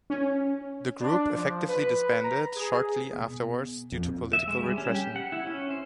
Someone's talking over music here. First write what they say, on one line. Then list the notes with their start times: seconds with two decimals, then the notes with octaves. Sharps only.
The group effectively disbanded shortly afterward due to political repression.
0.10 C#4
1.01 D4
1.30 F3
1.67 B4
2.23 A#5
2.54 G#4
3.13 B2 B3
3.92 F2 A#2
4.33 E5
4.48 G#3
4.63 G3
4.78 C#4
4.95 G4
5.16 F#5
5.32 E4
5.46 C#4
5.70 C5